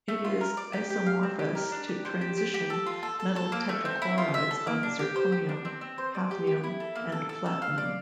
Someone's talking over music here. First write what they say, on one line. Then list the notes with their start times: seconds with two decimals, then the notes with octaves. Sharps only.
It is isomorphous to transition metal tetrachlorides of zirconium, hafnium, and platinum.
0.08 A3
0.25 F4
0.41 A#4
0.57 D5
0.73 G4
0.90 G4
1.06 F5
1.23 C4
1.39 G4
1.55 A#4
1.72 D4
1.88 G4
2.05 C5
2.21 G4
2.38 G4
2.54 G4
2.70 A4
2.86 F4
3.03 A4
3.20 A4
3.36 A4
3.52 A#3
3.69 A3
3.85 C4
4.02 E4
4.18 F4
4.34 E5
4.51 A4
4.67 A#3
4.83 D4
4.99 G4
5.16 C5
5.32 G4
5.49 D4
5.65 C4
5.81 C4
5.98 C5
6.15 D5
6.31 G4
6.47 G4
6.64 E4
6.80 A4
6.96 A#3
7.12 A4
7.29 A4
7.46 A4
7.62 F5
7.78 D5